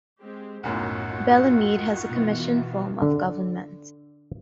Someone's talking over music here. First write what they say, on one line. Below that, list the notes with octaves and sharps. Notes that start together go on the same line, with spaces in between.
Bellemeade has a commission form of government.
G#3 C4 G4
B1 F#2 A2 D#3 F4 F#4 F#5
B2 E3
D3